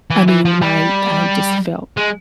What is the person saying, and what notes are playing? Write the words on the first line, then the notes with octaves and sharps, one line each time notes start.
I mean, my I just felt
E3
E3
F3
G3
G#3